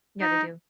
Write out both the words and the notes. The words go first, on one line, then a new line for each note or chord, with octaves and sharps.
Yeah they do.
D#4